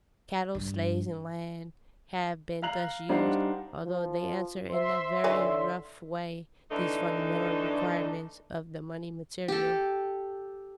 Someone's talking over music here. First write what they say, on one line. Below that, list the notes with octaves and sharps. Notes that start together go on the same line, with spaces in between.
Cattle, slaves, and land have been thus used, although they answer in a very rough way these fundamental requirements of the money material.
G2
F5 A#5 F#6 F#7
G3 D4 D#4 C5 F5 F#5
F3
C5 E5 C6
D3 E3 D#4 C#5 D5
D3 E3 A3 D4 D#4
G4 A4